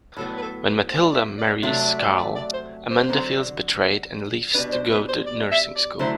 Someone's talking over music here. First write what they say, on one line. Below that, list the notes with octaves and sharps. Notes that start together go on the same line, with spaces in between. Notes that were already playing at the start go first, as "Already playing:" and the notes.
When Mathilda marries Carl, Amanda feels betrayed and leaves to go to nursing school.
A2 F#3 B3 A4
B4
A4
B4
C5
D5
E5
D5
C3 F#3 A3 D4 D5
D5
D5
D5
D5
C5
C5
D3 F#3 C4
B2 G3 D4 B4
C5
B4
C5
D5
E5
D5
D3 F#3 A3 E4 C5